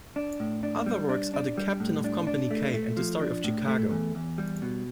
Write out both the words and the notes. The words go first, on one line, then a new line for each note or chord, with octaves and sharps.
Other works are "The Captain of Company K" and "The Story of Chicago".
D4
A2
D4
G3
D4
D4
G3
A2
D4
D4
A3
A3
F3
D4
A2
A3
E2
E2
G3
B2